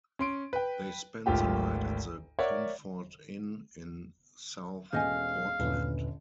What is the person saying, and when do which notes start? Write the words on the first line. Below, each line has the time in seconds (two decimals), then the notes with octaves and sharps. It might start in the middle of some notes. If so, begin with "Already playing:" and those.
They spent the night at the Comfort Inn in South Portland.
0.19 C#4 C6 D7
0.53 B4 G5
1.26 G#1 D2 F4 G4 G5
2.39 A#4 C#5 D5 E5 F#5
4.93 E1 C#4 A4 D#5 F5 G#5 G6
5.59 G1 D#2 A#2 D3 C#4 B4